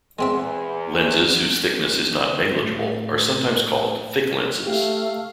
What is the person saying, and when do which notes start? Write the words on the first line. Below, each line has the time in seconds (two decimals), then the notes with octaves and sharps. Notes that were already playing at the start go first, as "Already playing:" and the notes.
Lenses whose thickness is not negligible are sometimes called "thick lenses".
0.19 E2 G#3 C4 E5
2.62 A2
4.67 A3 G4 F5